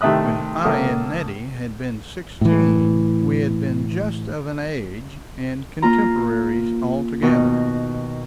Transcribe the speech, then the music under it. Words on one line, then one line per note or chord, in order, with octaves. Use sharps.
When I and Nettie had been sixteen we had been just of an age and contemporaries altogether.
C3 D#3 A3 E5 D#6 F#6
C#2 A#3 A4 E5 D#6
A2 E3
A#3 F4 A#5
B2 D#3